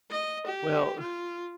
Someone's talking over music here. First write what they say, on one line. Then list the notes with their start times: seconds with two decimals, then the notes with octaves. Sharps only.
Well, uh,
0.11 D#5
0.46 G4
0.99 F4